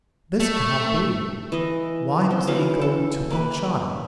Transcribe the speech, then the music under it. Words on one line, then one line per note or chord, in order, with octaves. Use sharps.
This cannot be! why must ye go to Kung-shan?
A3
E3 D#5
C4
C#3 E3 F#4 F5
A4
A#3 B4